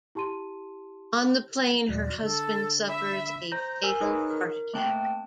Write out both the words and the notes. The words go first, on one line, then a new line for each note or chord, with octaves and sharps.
On the plane, her husband suffers a fatal heart attack.
E4 G4 A5 C6 D#7
D#2 A#2 F#3 D5
D3 A4
E5 B5
C5 A#5 G6 A#6
A#4 G#5 E6
D#4 G#4 B4 C#5 D#5
A#4
A3 A#3 C4 G5 A5